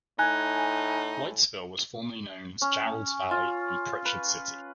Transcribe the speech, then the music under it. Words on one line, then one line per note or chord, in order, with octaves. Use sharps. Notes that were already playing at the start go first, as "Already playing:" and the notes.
Whitesville was formerly known as Jarrold's Valley and Pritchard City.
A2 D#4 G#5 F#6
C#4
F4
B4